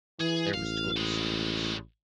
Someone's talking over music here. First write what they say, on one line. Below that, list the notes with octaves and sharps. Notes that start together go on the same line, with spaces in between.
There was total silence.
E3 G#4
A1 F5
A2 G#3